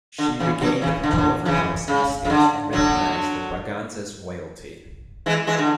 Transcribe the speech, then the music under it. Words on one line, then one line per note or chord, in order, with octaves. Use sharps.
She regained the control of her House and estates and recognised the Braganzas royalty.
D3
C#3 E3
D3 F#3
C#3 E3
D3
E3
D3
C#3 E3
C#3
C#3
D3
D3 F#3
E3 G#3
E3 G#3
D3